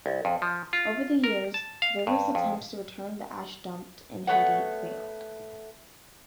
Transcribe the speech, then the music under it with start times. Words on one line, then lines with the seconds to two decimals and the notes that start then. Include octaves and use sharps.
Over the years, various attempts to return the ash dumped in Haiti failed.
0.06 C2
0.25 F2
0.42 F3
0.73 F4
1.24 A#4
1.54 A5
1.82 F5
2.07 G2
2.35 F2
4.27 A3 B3 C#5 F#5